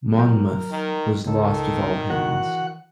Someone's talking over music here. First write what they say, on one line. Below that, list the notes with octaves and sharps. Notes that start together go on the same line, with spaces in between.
"Monmouth" was lost with all hands.
F#3 A#4 G5 A#5
D#3
C#2 D#3 A4
E3 F#4 A#4 F#5